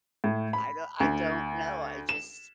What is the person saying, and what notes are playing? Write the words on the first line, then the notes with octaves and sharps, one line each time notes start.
I do I don't know, I just
A2
B5
D2
E7